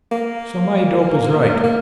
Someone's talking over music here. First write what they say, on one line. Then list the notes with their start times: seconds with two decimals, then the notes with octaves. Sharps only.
So my dope is right.
0.12 A#3
1.63 A#3